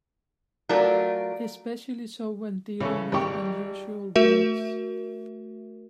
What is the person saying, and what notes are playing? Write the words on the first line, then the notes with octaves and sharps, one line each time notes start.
Especially so when dealing with unusual words.
F#3 A3 F4 A#4 D5
C#3 E3 C#4 A4
G#1 G3 G4 C#6
A3 F#4 A#4 E5